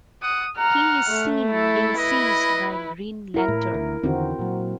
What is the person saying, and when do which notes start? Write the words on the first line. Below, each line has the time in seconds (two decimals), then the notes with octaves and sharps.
He is seen being seized by Green Lantern.
0.22 F#5 D#6
0.58 F#5 A#5 F6
1.09 A3
1.52 E4 A4
1.98 B4 D#5
3.34 E4 A#4
3.48 A2
3.74 D2
4.03 E2 D3 D#3 C4 F#4
4.39 A#2 F#3